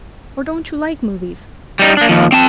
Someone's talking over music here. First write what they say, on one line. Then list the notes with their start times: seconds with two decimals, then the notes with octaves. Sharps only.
Or don't you like movies?
1.79 G3 D#4
1.97 A#3 D4
2.09 D#2 F3
2.32 C4 A5